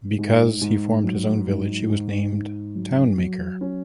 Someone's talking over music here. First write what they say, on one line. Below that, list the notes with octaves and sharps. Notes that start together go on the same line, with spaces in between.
Because he formed his own village he was named Town Maker.
G#2
G#2
F#3
G#2
G#2
G#2
F#3
F#3
C#4